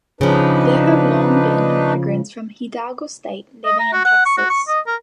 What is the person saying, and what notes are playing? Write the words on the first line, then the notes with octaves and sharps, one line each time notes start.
There have long been migrants from Hidalgo state living in Texas.
C#3 F3 D4 D#4 B4
D#5
A#5
F#4
F#5
C#6
F#4
C#6
D#5
A#4